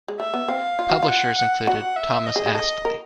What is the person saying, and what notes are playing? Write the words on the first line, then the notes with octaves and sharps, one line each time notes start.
Publishers included Thomas Astley.
G#3
A3 E5
B3
C4 F5
F4
F#4
F4
F#5
F#5
F#4 F#5
E5
D#5
G#4
G#4
A4 D#5
A#4